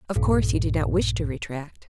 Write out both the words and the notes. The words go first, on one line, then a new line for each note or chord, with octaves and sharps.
Of course he did not wish to retract.
A#1 G2 A#2